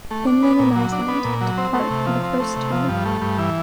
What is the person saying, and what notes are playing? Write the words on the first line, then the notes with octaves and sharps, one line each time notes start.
Finland and Iceland took part for the first time.
A3
D4
B3
A#2
F#3
D4
B3
A#2
F#3
C4
A3
C3
F3
C4
A3
C3
F3
G2
A3
G2
E3